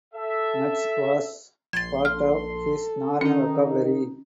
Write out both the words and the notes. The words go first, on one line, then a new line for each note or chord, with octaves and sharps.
'Nuts' was part of his normal vocabulary.
A4 E5
A#1 C6 G#6 A6
A4 F6
D#3 C#4 D#4